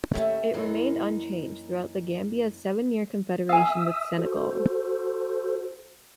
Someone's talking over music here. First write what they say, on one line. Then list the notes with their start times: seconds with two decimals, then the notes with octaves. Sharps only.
It remained unchanged throughout the Gambia's seven-year confederation with Senegal.
0.13 D#2 A3 C#4 G4 E5
0.54 F#2 E3 A#3 D#4
3.49 E5 F5 G#5 D#6 E6
4.19 F#4 A4 C5